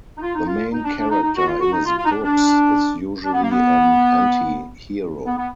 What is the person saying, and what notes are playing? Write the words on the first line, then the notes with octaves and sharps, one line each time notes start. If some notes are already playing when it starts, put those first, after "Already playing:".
The main character in his books is usually an anti-hero.
D#4
F4
D#4
F4
D#4
D4
D4
D#4
D#4
F#4
F4
F#4
D#4
F4
F4
D#4
D4
D4
D4
B3
A#3
B3
B3
B3